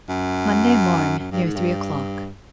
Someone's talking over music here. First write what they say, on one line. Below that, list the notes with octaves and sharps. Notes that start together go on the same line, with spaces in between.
'Monday morn, near three o'clock.'
F#2
F#2
G2
G#2
G2